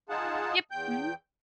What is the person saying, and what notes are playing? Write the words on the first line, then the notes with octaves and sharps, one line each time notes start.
Yep, mhm.
D#4 F4 G#4 F#5 A5
E2 G5 G6